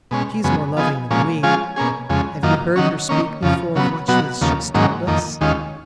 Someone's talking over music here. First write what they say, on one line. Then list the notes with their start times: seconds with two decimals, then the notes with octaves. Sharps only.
She is more loving than we.... Have you heard her speak before of what she has just told us?
0.11 B2 G#3 C#4
0.44 F#2 C#3 G#3 B3
0.77 F3 B3 D#4 G#4
1.10 A#2 F3 G#3 C#4
1.43 F3 G#3 C#4 F4 G#4
1.76 B2 A#3 C#4 G#4
2.10 F2 C#3 G#3
2.43 F#2 D#3 A#3 F4
2.76 D#3 F#3 C#4
3.09 D#3 A#3 C#4
3.42 F2 C#3 F3
3.75 C#3 F#3 B3
4.08 B2 F#3 B3 F#4
4.41 D#2 C#3 F3 A#3
4.74 G#2 D#3 F#3 A#3 C#4
5.07 F2 D#3 A#3
5.41 D#2 D#3 G#3 C#4 F4